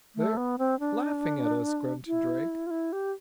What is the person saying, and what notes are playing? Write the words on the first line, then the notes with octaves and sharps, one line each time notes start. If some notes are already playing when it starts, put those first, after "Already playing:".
"They're--laughing at us!" grunted Drake.
A3
B3
C4
D4
E4
F4
E4
G4